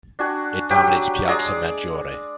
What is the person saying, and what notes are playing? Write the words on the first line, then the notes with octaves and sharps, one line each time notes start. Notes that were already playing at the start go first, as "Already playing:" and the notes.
It dominates Piazza Maggiore.
D4 F#4 G#5
F#3 G4 G5
G#3 G#4 D5 A#5